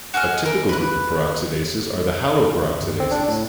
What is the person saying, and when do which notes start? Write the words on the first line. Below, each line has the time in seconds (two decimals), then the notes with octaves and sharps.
A typical group of peroxidases are the haloperoxidases.
0.14 F#4 G#4 D#5 F6
0.46 A#4
0.69 B4 F#6
2.80 G1
3.00 C4
3.11 D4
3.28 A2